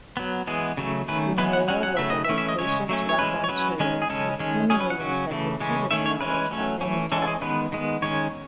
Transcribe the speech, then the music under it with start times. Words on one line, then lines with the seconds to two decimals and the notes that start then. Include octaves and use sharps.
Gummere was a loquacious raconteur with seemingly encyclopedic knowledge on many topics.
0.17 F#3 B3
0.47 E3 G#3 B3 G#4
0.77 C#3 F#3 A3
1.08 D#3 A3 C#4 B4
1.38 E3 G#3 B3 B4
1.53 F#5
1.68 F#3 C#4 F#5
1.83 F#5
1.97 C#3 F#3 A3 E5
2.10 D#5
2.25 E5
2.29 E3 A3 C#4
2.38 E5
2.49 D#5
2.59 C#3 G#3 C#4 C#5
2.89 F#3 A3 C#4
3.09 C#5
3.18 E3 G#3 C#4 B4
3.44 C#5
3.49 F#3 C#4 B4
3.79 D#3 G#3 C#4
4.02 G#4
4.10 C#3 G#3 C#4 A4
4.40 D#3 G#3 C#4
4.70 F#3 C#4 G#4
4.80 B4
4.90 F#5
5.00 C#3 F#3 C#4
5.31 C#3 E3 A3
5.60 C#3 E3 G#3 C#4
5.91 D#3 A3 C#4 E5
6.06 C#5
6.21 E3 G#3 C#4 B4
6.51 F#3 A3 C#4
6.81 E3 A3 C#4
7.12 E3 G#3 C#4 A4
7.22 A4
7.27 G#4
7.41 D#3 G#3 B3 B4
7.72 D#3 G#3 B3
8.02 D#3 G#3 C#4 C#5